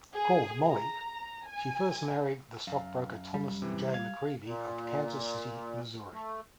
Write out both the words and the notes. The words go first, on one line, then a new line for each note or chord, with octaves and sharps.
Called "Molly", she first married the stockbroker Thomas J. McGreevy of Kansas City, Missouri.
G#4
A#5
G#5
F#2 F5
G3
C3 E3
F5 G#6
A#2
A3